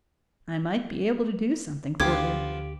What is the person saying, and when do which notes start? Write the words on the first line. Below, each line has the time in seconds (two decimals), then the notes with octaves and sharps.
'I might be able to do something for you.
2.00 D2 F3 B3 F4 G4 D6 D#6 G#6